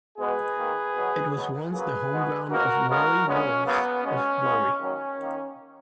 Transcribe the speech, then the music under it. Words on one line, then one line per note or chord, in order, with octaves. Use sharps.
It was once the home ground of Warri Wolves of Warri.
B2 G#3 B3 G#4 B4
D#3 A#3
B2 F#3 B3
B2 F#3 B3
C#3 F#3 A#3 G#4 B4
B2 G#3 B3
B2 A#3 F#4 A#4
C#3 G#3 B3 F#4 A#4
A#2 G#3 B3 C#4
C#3 F#3 A#3 B3
B2 G#3 B3 C#4
C#3 G#3 B3
D#3 F#3 A#3 C#4
D#3 A#3